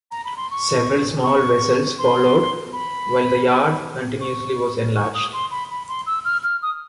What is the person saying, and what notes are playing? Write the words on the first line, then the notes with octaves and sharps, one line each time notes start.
Several small vessels followed, while the yard continuously was enlarged.
A#5
B5
C6
C#6
C#6
C6
B5
C#6
C#6
D#6
C6
B5
B5
C6
E6
F6
F6
D#6